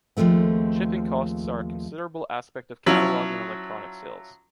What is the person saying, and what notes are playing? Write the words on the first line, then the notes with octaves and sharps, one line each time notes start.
Shipping costs are a considerable aspect of catalog and electronic sales.
D#2 F3 G#3 A3 C4
F3 F#3 C#4 E4